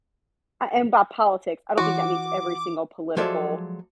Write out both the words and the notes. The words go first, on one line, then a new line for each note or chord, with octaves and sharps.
A and by politics, I don't think that means every single political,
E3 E4 F#4 F#5 D6
F3 F#3 G#3 A4 D5 E5